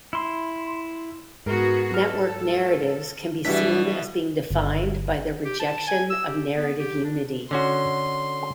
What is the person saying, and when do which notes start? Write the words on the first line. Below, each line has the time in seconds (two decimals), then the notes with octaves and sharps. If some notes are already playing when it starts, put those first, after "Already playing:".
Networked narratives can be seen as being defined by their rejection of narrative unity.
0.13 E4 C6
1.46 G#2 B3 F#4 G#4 A#4
1.94 A4 F6
3.45 B2 E3 G3 B3 D4 E4 F#4 B6
4.51 G1
5.45 G4
5.60 A5
5.87 G#5
6.10 E6
6.27 G4
6.55 B3
6.79 G4
7.04 D4
7.51 D3 C#4 F#4 C6